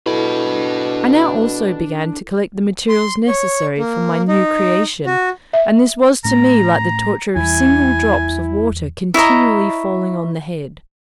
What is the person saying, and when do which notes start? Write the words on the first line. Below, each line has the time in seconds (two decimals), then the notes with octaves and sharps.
I now also began to collect the materials necessary for my new creation, and this was to me like the torture of single drops of water continually falling on the head.
0.06 B2 D4 E4 A4 B5
2.89 C6
3.28 C#5
3.78 A#3
4.28 D#4
5.06 F#4
5.53 E5
6.25 A2 A3 C#4 A#5
7.36 E2 E3 G3 E4 G#5
9.14 E4 C#5 D#5 A#5